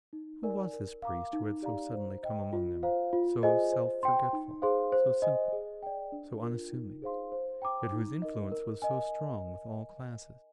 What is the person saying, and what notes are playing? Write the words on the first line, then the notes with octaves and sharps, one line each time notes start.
Who was this priest who had so suddenly come among them, so self-forgetful, so simple, so unassuming, yet whose influence was so strong with all classes?
D#4
A#4 D5 G#5
A#4
F5 A#5 D6
D#4
G4 D5 F5 A#5
C5
D#5 G5
F4
C5 F5 A#5
F4
G#4 C5 D#5 G#5
C5
G5 C6
D#4
G#4 C5 F5 C6
C5
D#5 G#5
G#4
D5 G5
D4
F4 A#4
D#4
G#4 C5 F5 C6
C5
G5 A#5 D6
D#4
A#4 D#5
A#4
D#5 G#5